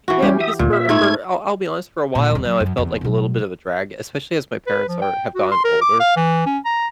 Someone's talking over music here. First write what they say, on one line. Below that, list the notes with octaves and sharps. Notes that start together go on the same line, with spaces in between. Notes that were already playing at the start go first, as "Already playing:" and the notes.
Yeah, because for for, I'll I'll be honest, for a while now, I felt like a little bit of a drag, especially as my parents are have gotten older.
E3 F#4
G3 C#4 G4
E5 D#6
D2 A#2
E5
G#2 A3 E4 G#6
A#2
D#1 D#3
F#3
F#2
F1 E2
B2 F#3
B4
F3
G5
F#4
C6
A#4
D6
F5
E3
C#4
A#5